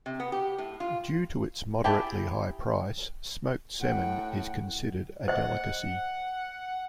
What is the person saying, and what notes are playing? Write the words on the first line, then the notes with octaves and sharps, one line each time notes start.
Due to its moderately high price, smoked salmon is considered a delicacy.
C3
B3
G4
A2
F4
E4 G4 G#4 G5 A5
A2 F#5 G5
C5 D#5 F#5